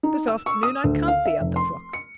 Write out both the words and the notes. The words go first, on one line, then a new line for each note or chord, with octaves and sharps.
This afternoon I count the other flock.
D#4
E6
C#6
D#6
D2
F5
E5
F1
C6
C#7